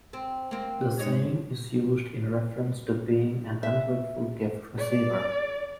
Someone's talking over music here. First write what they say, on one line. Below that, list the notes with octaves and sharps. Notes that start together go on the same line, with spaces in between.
The saying is used in reference to being an ungrateful gift receiver.
C4
A#3 C4
G#2 C#5 D#5
E5
D5